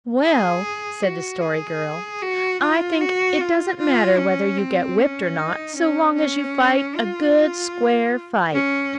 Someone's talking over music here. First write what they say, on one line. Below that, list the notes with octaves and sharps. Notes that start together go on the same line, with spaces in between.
"Well," said the Story Girl, "I think it doesn't matter whether you get whipped or not so long as you fight a good, square fight."
G#4
F#4
G#4
F#4
F4
F#4
F4
F4
C#4
C4
C#4
D#4
C#4
C#4
F4
C#4